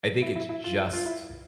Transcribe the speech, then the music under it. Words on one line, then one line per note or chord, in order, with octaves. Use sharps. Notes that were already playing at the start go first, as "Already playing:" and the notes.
I think it's just
E4
E4
E4
F4
F4
E4